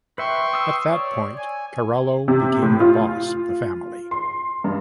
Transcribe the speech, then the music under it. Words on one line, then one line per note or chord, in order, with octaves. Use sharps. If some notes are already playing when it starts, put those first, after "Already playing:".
At that point Carollo became the boss of the family.
B4 E5 G5 C6 C#6
D#6 E6
C#5 D5
G#5
C3
A2
F4
C6
G2